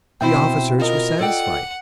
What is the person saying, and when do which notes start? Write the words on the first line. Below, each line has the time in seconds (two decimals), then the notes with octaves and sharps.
The officers were satisfied.
0.21 B2 C4 E4 C5 E5 G5
0.79 F4 A#4 D#5
1.21 A4 D5 F#5 G5